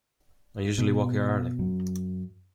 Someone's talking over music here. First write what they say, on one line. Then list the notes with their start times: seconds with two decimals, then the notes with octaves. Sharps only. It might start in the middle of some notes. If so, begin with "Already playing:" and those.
I usually walk here early.
0.78 B2
1.59 F#2